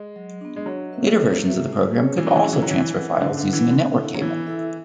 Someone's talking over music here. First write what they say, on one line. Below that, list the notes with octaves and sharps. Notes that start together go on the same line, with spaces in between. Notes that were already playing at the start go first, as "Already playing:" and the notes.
Later versions of the program could also transfer files using a network cable.
Already playing: G#3
F#3
B3 D4
G#3
F#3 D4
F#4 B4 E5
D4
F#4 B4 E5
G#3
C#4 G#4 C#5
E3 G#3
F#3
E3
F#3 C#4 G#4 C#5
E3
F#3
E3 E4
B4 F#5
D3 E4
D3
B4 F#5
E3
D3 B3
E4 A4 E5
F#3
E3 B3
E4 A4 E5